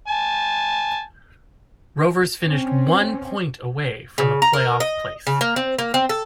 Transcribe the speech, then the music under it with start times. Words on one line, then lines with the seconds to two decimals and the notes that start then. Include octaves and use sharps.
Rovers finished one point away from a play-off place.
0.08 G#5 A5
2.46 C4 C#4
4.18 C#3
4.42 A#5
4.53 A#4
4.80 D#5
5.27 C#3
5.41 A#3
5.56 C4
5.79 A#3
5.94 C4
6.09 A4